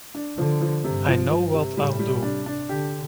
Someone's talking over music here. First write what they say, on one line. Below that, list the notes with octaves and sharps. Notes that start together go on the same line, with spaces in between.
I know what I'll do.
D4
D3 F3
F3
G2 C3
F3
F3
C3
A2 G3
G3
C3 D4
D4
D3 G4